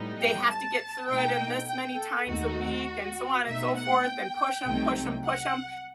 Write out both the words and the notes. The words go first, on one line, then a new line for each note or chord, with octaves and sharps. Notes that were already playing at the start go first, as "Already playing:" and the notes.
they have to get through it in this many times a week and so on and so forth and push 'em, push 'em, push 'em,
Already playing: A2 G3 B3 D#4
G5
A5
B2 A3 D#4 G5
G5
A4
D#2 D#3 A3 D#4 F#4
B2 A3 D#4 E5
F#5
G5
C2 C3 F#3 A3 D#4
F#5